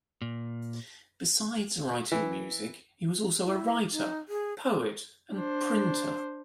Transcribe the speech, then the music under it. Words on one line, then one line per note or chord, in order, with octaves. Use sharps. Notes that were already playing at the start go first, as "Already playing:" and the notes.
Besides writing music, he was also a writer, poet, and printer.
A#2
E3
E4
D#4
G#4
D4 C5